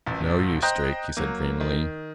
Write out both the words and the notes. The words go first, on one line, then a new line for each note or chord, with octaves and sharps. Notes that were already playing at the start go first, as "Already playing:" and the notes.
"No use, Drake," he said dreamily.
D#1 A1
C5 D#5 G5 A#5 F#6 G6
F#3 A#3
D#3